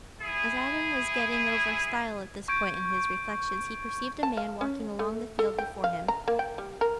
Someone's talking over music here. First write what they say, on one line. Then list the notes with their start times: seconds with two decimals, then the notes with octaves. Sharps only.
As Adam was getting over a stile at this point in his reflections, he perceived a man walking along the field before him.
0.20 E4 G#4
2.48 C#6 G6 G#6 D7
4.23 A5
4.37 F5
4.61 C#4
4.99 A3
5.39 A4
5.59 G5
5.84 F5
6.08 A#5
6.28 A#3
6.39 G5
6.58 G3
6.81 A#4